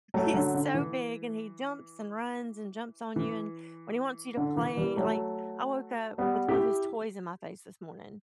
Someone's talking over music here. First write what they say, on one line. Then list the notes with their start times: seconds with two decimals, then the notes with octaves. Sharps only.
He's so big, and he jumps, and runs, and jumps on you, and when he wants you to play, like, I woke up with one of his toys in my face this morning,
0.14 F#3 A3
0.34 D3 F#3
0.54 D3
0.74 E3
3.16 E3
4.37 D3
4.57 E3
4.77 E3 G3
4.97 F#3 A3
6.18 G3 B3
6.48 E4 G4